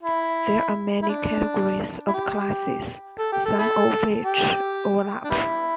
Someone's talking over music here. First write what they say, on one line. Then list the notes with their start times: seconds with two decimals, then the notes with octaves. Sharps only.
There are many categories of classes, some of which overlap.
0.03 E4
1.03 E4
1.09 D4
2.08 E4
2.14 G4
3.19 A4
3.32 G4
3.45 A4
3.59 E4 A4
4.24 G4
5.25 D4
5.30 G3 B3 E4